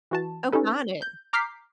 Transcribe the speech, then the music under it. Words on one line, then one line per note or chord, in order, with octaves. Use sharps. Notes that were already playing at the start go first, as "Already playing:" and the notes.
Oh, got it.
E3 F#4 A5
C#4 D#4 G4 A4 B4
G6
A#5 D6 F6 G6 B6 C7